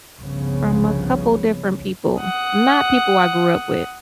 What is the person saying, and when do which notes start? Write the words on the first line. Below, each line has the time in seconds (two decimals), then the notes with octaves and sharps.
from a couple different people, not people I grew up with.
0.21 G1 C2 C#3 F3 B3 C#4
2.21 F#5 D#6